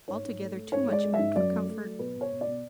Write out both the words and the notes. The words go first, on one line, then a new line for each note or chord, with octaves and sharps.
Altogether too much married for comfort.
G#2 C#5
G#2
A3
A3
G#2 C#5
G#3 D5
G#3
E5
G#2
F#2 D5
A3
A3
F#3
B2 B4
B2
C#5
B2
D5
B2